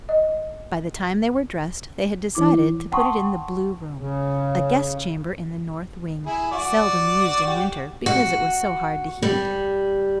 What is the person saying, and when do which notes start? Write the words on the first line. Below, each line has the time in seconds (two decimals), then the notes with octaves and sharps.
By the time they were dressed, they had decided to put it in the blue room, a guest-chamber in the north wing, seldom used in winter, because it was so hard to heat.
0.09 D#5
2.35 E3 E4 D6
2.92 F#5 G5 A5 C6 C#6 D#6
3.97 C#3
6.26 E4 G#4
6.51 F#4 D5
7.45 F#4 G4
8.06 F#4
9.23 G3